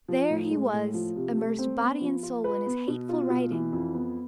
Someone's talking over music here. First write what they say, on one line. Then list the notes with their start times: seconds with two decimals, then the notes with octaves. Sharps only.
There he was, immersed body and soul in his hateful writing!
0.08 F3
0.30 A2
0.51 G#3
0.73 A2
0.94 F3
1.16 C3
1.37 A3
1.59 C4
1.80 B3
2.01 F3
2.23 F4
2.44 B4
2.66 B3
2.88 B2
3.09 F4
3.30 B2
3.52 E3
3.72 F2
3.94 B3